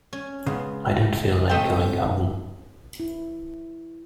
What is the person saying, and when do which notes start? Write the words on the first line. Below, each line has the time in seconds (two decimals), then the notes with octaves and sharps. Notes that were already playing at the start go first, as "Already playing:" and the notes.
I don't feel like going home.
0.13 C#4
0.47 C#3 G#3 B3
1.49 A3 C4 D#5 G5
3.00 E4